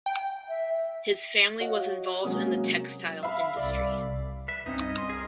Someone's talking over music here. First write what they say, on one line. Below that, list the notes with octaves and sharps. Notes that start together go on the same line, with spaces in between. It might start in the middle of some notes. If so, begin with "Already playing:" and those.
His family was involved in the textile industry.
G5
E5
F#4 C#5 D#5 F5 F#5
C3 F#3 G#3 A#3 C#4 D#6
E5 F5 B5
C2 D5
B4 E5
C2 G2 C4 C#4 D#4 D#6
D#5
C6
G#4 A#4